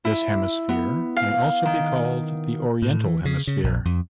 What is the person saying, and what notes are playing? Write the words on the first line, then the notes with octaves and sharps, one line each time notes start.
This hemisphere may also be called the "Oriental Hemisphere".
E4
B3
F5
D#3
A2
E3
C#3
C#3
A#1
F2